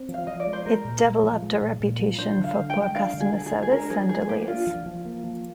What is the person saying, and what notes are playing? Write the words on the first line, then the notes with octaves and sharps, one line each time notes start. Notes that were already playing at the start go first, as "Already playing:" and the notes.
It developed a reputation for poor customer service and delays.
Already playing: C4
F3
F5
F3 D#5
D5
G#3
C5
G#3 A#4
A#2
A#2
F3
G#3
A#2
A#2
F3
D4 C5
D3
F5
D3
G5
G#3
D4 F5
D3
G#4
D3
G#4
G#3
G#4
D4 A#4
F3 G#4
F3 G#4
A#3 G4
D4 F4
F3
F3
A#3
F3